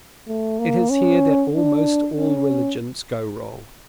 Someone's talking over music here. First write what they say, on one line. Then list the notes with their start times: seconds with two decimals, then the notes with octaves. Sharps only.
It is here that almost all religions go wrong.
0.27 A3
0.59 A#3
0.90 C#4
1.54 D4
2.17 C#4